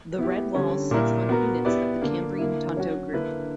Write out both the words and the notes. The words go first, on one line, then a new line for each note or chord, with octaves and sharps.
The Redwall sits on units of the Cambrian Tonto Group.
B3 E4 G4
D3 G3 C#4
A#2 G3 A#3 E4 A#4
B3 F#4 A#4
B3 E4 G4 B4 D5
D3 A#3 D4
D3 A#3 E4
F#3 C#4 F#4
D3 A#3 E4 B4